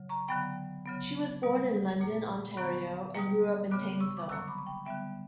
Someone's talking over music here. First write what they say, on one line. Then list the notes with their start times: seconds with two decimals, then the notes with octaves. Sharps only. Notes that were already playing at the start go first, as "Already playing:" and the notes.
She was born in London, Ontario, and grew up in Thamesville.
Already playing: C#3 F#3
0.09 A#5 C#6
0.28 D3 F#3 B3 G5 B5
0.86 C#3 F#3 B3
1.43 B2 G3 B3
2.00 A#2 A#3
2.52 B5
2.57 D3 F#3 B3 A#5 C#6
3.15 B2 G3 A#3
3.71 C#3 G3 B3 D6 F#6
4.00 C#6 E6
4.17 D6
4.29 D3 F#3 A#3 C#6 E6
4.42 C#6
4.48 B5 D6
4.58 C#6
4.66 G5 B5
4.85 D3 G3 B3 E5 G5